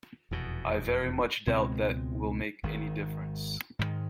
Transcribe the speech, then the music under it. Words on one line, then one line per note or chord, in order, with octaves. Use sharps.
I very much doubt that that will make any difference.
F1 E2 B2
C#2 B2 G#3 C4
G#1 G#2 D#3
G#2 D#3 G#3